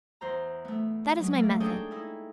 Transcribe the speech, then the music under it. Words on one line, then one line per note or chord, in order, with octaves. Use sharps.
That is my method.
E2 C5 A#5
A3 B3
F#3 G#3
A3 A#3
D4 D#4 G#4 A4 C#5 G5
D#4 E4